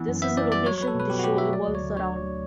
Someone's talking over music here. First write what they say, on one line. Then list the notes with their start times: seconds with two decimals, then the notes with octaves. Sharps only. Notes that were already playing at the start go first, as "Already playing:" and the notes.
This is the location the show evolves around.
Already playing: E3 B3
0.08 F#2
0.22 B3 E5
0.37 E3 D5
0.52 G3 D5
0.66 F#3 C#5
0.78 C#5
0.81 F#3 B4
0.87 A4
0.95 B2 B4
1.10 B2 G4
1.19 F#4
1.24 F#3 G4
1.38 F#3 E5
1.53 A3 D5
1.68 D2
1.75 C#5
1.83 D2
1.97 D3 C#5
2.12 D2